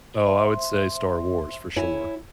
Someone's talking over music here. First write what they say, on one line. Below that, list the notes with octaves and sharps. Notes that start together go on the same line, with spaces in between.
oh, I would say Star Wars, for sure.
C5 E5 C6
E4 C#5 G#5